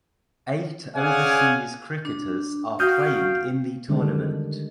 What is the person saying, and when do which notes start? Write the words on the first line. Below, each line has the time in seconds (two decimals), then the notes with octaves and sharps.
Eight overseas cricketers are playing in the tournament.
0.97 C#4 G#4 D5 F5 F#5 G#5
2.05 D4
2.80 F#4 F5 G5 D#6 F6 G6
3.89 D3 D#3 G3 G#3 D4